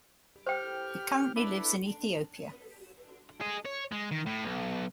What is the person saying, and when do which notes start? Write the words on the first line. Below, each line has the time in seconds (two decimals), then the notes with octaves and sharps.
He currently lives in Ethiopia.
0.46 G4 C5 G5 F6
1.36 D4 E4 B4
3.41 G#4 D#5
3.66 C#5
3.92 G#3
4.11 D#3
4.26 A2
4.44 B1